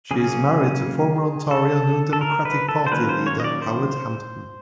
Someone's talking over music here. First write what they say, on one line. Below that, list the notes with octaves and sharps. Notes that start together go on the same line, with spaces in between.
She is married to former Ontario New Democratic Party leader Howard Hampton.
C#3 F#3 A#3 C#4 G#4
A4
A4
A#4
B4
A4
C5
D#3 F#3 A#3 C#4 B4
C5
C#5
D#5
D5
C5